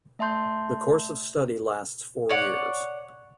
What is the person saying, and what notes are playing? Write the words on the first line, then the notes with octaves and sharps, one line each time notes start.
The course of study lasts four years.
A3 E5 A5 C6 G6
C#5 D5 F#5